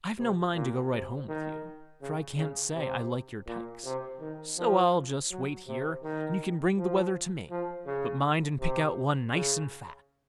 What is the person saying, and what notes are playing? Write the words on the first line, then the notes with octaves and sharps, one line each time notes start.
'I've no mind to go right home with you, for I can't say I like your tykes; so I'll just wait here, and you can bring the wether to me, but mind and pick out one nice and fat.'
C3
A#2
C3
D#3
C#3
C#3
C3
A#2
C3
D#3
F3
F#3
C3
D#3
F3
F3
C#3
C3
C#3